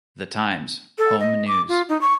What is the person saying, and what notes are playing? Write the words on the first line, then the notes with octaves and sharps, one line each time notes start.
"The Times", home news.
A4
D#5
D6
F4
D#4
C#6